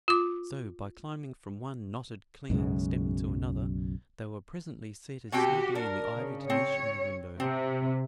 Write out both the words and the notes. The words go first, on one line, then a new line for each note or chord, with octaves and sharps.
So, by climbing from one knotted, clinging stem to another, they were presently seated snugly in the ivied niche in the window.
F4 D6
B1 F#2 C#3 G#3
B2 C4 F#4 G4 G5
D4 A#4
C#3
C4 C#5
C3 C4